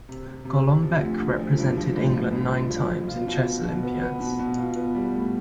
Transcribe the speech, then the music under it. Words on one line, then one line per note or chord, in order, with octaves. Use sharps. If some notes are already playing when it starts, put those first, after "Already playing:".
Golombek represented England nine times in chess Olympiads.
C3
C3
C3
C3
F3
D2
D2
F3
G2
F3
A1
F3
F3
F3
F3
F3
F4
B2
B2
B2
B3
B3
B2
B2
F4
B3
G3
A2